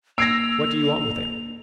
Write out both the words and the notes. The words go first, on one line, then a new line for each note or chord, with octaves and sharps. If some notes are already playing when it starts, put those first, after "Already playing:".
"What do you want with him?"
A#3 E6 G#6 A#6 C7 D7 F7